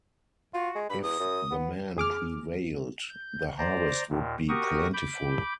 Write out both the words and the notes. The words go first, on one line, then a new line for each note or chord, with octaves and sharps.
If the men prevailed, the harvest would be plentiful.
F4 F#4
G#3
G2 B5
E2 D#6
F#2
B3
F2 G#4 D6 F6
G6
C5 D5 A#5
D#2 A#2
F#4 G4 A#4 C#6 D#6
B5 D6 G6